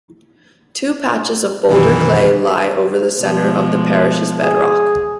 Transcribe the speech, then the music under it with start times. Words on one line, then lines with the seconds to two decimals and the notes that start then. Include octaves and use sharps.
Two patches of boulder clay lie over the centre of the parish's bedrock.
1.69 F#2 B2 D#3 E3
3.20 B2 F3 G#3
4.41 G#4